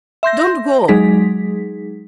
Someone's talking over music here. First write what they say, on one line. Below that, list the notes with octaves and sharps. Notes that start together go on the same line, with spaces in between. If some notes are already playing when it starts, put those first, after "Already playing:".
Don't go!
E5 C6 G6 A#6
F#3 G#3 D#4 G#4 B6